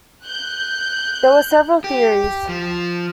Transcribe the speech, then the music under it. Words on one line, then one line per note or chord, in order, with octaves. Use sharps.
There were several theories.
F#6 G6
G4
F3